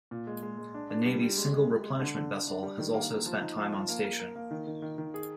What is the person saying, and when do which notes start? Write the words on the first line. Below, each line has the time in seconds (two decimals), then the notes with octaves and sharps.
The Navy's single replenishment vessel has also spent time on station.
0.11 A#2
0.27 G#3
0.43 G#3
0.58 G#3
0.74 D4
0.90 D4
1.05 G3
1.21 G3
1.37 G#3
1.53 G#3
1.69 G#3
1.84 G#3
1.99 D3
2.15 D3
2.31 D3
2.47 D4
2.63 G3
2.78 D#3
2.94 A#3
3.10 A#3
3.26 F3
3.41 D#4
3.57 F3
3.73 F3
3.88 A#3
4.04 A#4
4.20 A#4
4.36 A#3
4.51 D#3
4.67 D#3
4.82 D#3
4.98 D#3
5.14 G#4